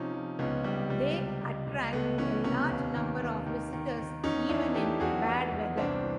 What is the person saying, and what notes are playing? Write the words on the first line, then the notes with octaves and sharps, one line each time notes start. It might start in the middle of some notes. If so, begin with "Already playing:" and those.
They attract a large number of visitors even in bad weather.
Already playing: C3 F3 C#4 D#4
F3
C#2 B3 C#4
C#2 G3
C#2 G3
C3
C#2
C#2
C#2 A3 B3
E3 B3 C#4
C3 B3 C#4
D#2
D#3
D#2
D#3
D#3
D#3
E2 C#4 D#4
E2 D4 E4
E3 G4 A4
E2 F#4 G#4
E3
E2
C2 C4 D4
E3